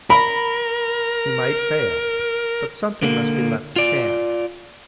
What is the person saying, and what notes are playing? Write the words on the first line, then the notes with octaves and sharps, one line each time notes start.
He might fail, but something must be left to chance.
A#4 B5
D3 A#3
F4 D5